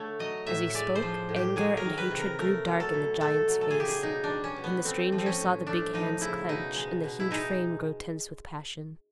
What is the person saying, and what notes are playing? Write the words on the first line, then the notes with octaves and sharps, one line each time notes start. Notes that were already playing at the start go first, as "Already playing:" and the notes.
As he spoke, anger and hatred grew dark in the giant's face, and the stranger saw the big hands clench and the huge frame grow tense with passion.
Already playing: D3 A3 C#5
F#3 D#5
A2 E5
G#3 D5
C5
F3
A2
G4
F#3 G#4
A#4
D#3
B4
C3
A#4
A3 A#4
F#3
A4
B2
A3 A4
F#3
A4
C#3 G#4
G4
G#4
B2 D#4
D4
G3
C#4
B2
B3
A3 C4
F3
C4
C#4
A2
A3 D4
F3 D#4
C#3 E4
B2 D#4
G#3
B2
E4
G#3 D#4